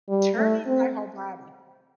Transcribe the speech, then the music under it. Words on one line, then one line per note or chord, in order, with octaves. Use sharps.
turning my whole body?
G3
A3
C4